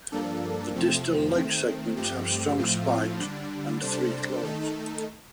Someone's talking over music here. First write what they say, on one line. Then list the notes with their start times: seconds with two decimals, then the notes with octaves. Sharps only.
The distal leg segments have strong spines and three claws.
0.12 G2 F3 A#3 D4 A4
0.74 F2 C3 F3 A3 C4
1.36 D#3 A3 C4
1.96 G2 F3 A3 C4 G4
2.58 A2 F3 A3 C4 F4
3.19 D3 G3 D4
3.81 C3 G3 D4 A4 C5
4.43 D#3 A3 D#4 A4